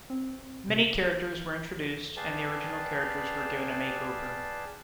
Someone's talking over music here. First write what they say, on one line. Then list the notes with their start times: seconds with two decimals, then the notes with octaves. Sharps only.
Many characters were introduced and the original characters were given a makeover.
0.10 C4
0.69 C3
2.17 G#4 B4 D5 F5 G5 A5